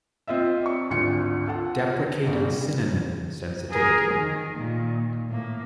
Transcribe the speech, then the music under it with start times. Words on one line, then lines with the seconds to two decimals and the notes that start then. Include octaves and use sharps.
"Deprecated synonym" sensitivity.
0.27 C4 F4 D#5 E5
0.63 D5 C#6
0.90 G#1 D2 F4 C#7
1.46 F4 A4 F#5
2.26 G1 C#3 G3
3.72 G#4 A#4
4.14 D#3
4.54 A#2 D#3
5.30 A2 A#3